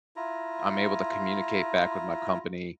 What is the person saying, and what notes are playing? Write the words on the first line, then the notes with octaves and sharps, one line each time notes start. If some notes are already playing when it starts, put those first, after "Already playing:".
I'm able to communicate back with my company
E4 F4 A#5